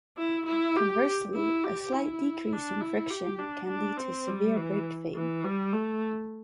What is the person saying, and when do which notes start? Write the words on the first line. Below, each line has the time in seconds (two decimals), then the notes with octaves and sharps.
Conversely, a slight decrease in friction can lead to severe brake fade.
0.17 E4
0.46 E4
0.76 G4
1.35 E4
1.64 G4
1.93 E4
2.52 D4
2.81 E4
3.10 G4
3.39 D4
3.68 D4
3.97 C4
4.27 G3
4.56 E3
5.15 E3
5.44 G3
5.73 A3